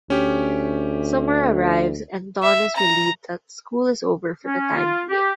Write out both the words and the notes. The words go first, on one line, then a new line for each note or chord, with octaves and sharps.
Summer arrives and Dawn is relieved that school is over for the time-being.
D2 C#4 G4
E5
A#5
C#4
F4
G4